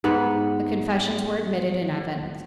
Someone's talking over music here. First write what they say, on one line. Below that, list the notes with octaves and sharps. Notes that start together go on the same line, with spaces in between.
The confessions were admitted in evidence.
G#2 B3 F#5